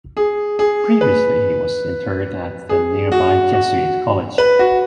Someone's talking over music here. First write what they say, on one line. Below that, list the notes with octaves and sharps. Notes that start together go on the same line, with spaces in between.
Previously, he was interred at the nearby Jesuit college.
G#4
G#4
B4
G#4
F#4
F#4
B4
F#4